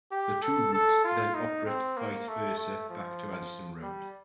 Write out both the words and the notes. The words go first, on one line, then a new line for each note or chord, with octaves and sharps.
The two routes then operate vice versa back to Addison Road.
G4
A4
A4
F4
D#4
C4
A#3
A3
A3
F3
G3